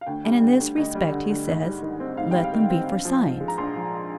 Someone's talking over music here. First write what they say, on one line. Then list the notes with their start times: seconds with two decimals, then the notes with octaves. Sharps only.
And in this respect he says: "Let them be for signs."
0.01 F5
0.06 D2 G5
0.24 G3
0.42 D3
0.60 D2
0.77 D2 D#5
0.95 G3
1.12 D3
1.30 D2
1.48 G#2
1.65 G3
1.83 D#3
2.00 C4
2.17 G#2 F5
2.31 G3 G5
2.44 F5
2.53 D#3
2.70 C4
2.88 A#1
3.05 F3
3.23 G#2
3.41 G#3
3.48 A#5
3.58 A#1 C6
3.76 F3